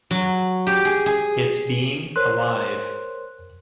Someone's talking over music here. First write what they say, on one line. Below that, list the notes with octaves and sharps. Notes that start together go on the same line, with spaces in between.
It's being alive.
F#3
G4
G#4
G#4
A#4 C5 C#5 C6 F#6